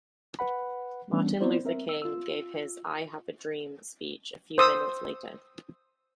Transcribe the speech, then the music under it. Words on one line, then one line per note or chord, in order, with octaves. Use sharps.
Martin Luther King gave his "I Have a Dream" speech a few minutes later.
B4 F#5 B5
E3 G3 A3 B3 C#4 D4
B3 C4 E4 C5 D5
C4 A#4 E5
E6
F4 E6
C5 D#6 E6